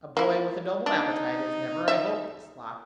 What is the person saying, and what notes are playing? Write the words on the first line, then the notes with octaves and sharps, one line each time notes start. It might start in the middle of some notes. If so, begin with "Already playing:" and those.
A boy with a noble appetite is never a hopeless lock.
A#3 E4
D4 D#4
E5